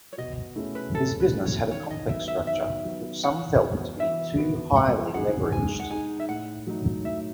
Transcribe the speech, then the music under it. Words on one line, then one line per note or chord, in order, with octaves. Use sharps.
His business had a complex structure which some felt to be too highly leveraged.
C#5
B2 D#5
A3 C#4 E4 G#4
B4
B2 A4
B4
A3 C#4 E4 G#4
C#5
D#3 C#5
D#5
F#3 B3 E5
E5
D#3 E5
F#3 B3
E3 F#5
B3 F#4
E3 E5
B3 F#4
G#3 F#5
D#4 G#4 F#5
G#3 G#5
F#5
D#4 G#4 G#5
E5
A2 F#5
F#3 A3 D#4
A2 E5